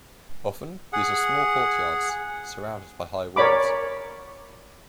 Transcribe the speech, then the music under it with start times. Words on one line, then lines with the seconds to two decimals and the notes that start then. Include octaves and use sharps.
Often these were small courtyards surrounded by high walls.
0.93 G#4 F#5
3.36 A#4 C#5 D5 B5 D6